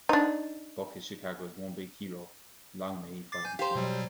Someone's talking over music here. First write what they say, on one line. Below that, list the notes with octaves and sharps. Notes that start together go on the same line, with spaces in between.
Buck is Chicago's one big hero; long may he fight and smile.
D4 D#4
D6 A6 C7
G#5 G6
G4 C5 F5 A#5
B2 F#3 G3